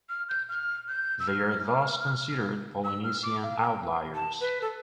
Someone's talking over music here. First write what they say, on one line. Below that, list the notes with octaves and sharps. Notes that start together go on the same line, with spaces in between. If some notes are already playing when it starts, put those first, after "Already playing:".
They are thus considered Polynesian outliers.
F6
G6
F6
G6
E6
F6
E6
F6
D6
F5
G5
A5
B4
A4